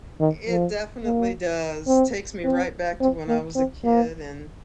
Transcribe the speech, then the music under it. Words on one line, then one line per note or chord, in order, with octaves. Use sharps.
It definitely does, takes me right back to when I was a kid, and
D#3
F3
A#3
C4
C4
C4
A#3
C4
A#3